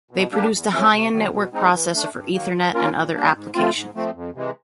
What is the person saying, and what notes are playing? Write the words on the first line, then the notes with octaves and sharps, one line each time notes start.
They produced a high-end network processor for Ethernet and other applications.
B2
G3 A#3 D4 G4
E2
C3 F3 A3 C#4
C3
D#3 F#3 A#3
B2
G#3 C4 D#4
E3
A3 D4
G2
D#3 F#3 A#3
F3
A#3 C#4 F4 A#4
A#2
G3 A#3 D4
G#2
F3 A3 C4 F4
G#2
F3 A3 C4
F2
C3 E3 G#3